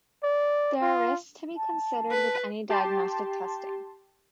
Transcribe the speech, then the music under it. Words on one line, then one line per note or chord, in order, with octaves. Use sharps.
There are risks to be considered with any diagnostic testing.
D5
F4
A5
B4
G4 A5 C6